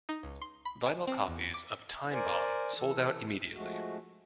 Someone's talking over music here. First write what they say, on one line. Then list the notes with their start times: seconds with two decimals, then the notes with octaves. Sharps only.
Vinyl copies of "Time Bomb" sold out immediately.
0.09 D#4
0.23 C#2
0.42 C6
0.65 B5
0.86 G#5
1.07 C4
1.28 E2
1.54 D6
2.12 A#4 C5 D5 G#5
2.77 E3 A4
3.53 F3 G#3 A3 F#4